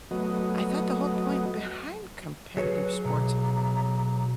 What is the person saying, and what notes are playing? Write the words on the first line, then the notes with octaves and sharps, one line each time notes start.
I thought the whole point behind competitive sports
F#3 A3 B3 F#4 D#5
F#3 G#4 B4 C#5
B2 A#5